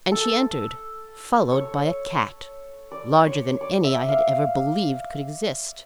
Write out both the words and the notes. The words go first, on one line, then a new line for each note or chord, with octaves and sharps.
And she entered, followed by a cat, larger than any I had ever believed could exist.
A4
C#5
D5
C#5
D5
E5
F5